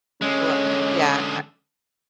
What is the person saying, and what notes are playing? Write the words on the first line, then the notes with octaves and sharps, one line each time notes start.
Well, yeah. Eh,
D3 G#3 C#4